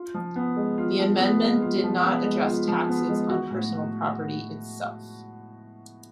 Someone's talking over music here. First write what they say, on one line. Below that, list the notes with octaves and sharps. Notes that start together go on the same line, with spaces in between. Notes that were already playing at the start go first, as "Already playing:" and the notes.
The Amendment did not address taxes on personal property itself.
Already playing: F4
F3
B3
G#3
F4
F3
B3
G#3
F4
F3
B3
G#3
F4
F3
B3
G#3
F#4
A2